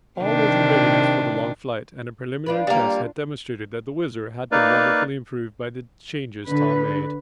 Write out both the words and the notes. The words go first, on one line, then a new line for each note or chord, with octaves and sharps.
All was in readiness for the long flight, and a preliminary test had demonstrated that the WHIZZER had been wonderfully improved by the changes Tom made.
C3 D#3 D4
D4 F4 B4
G3 A#3
A#3 D#4 B4 D5 F5
D3 B4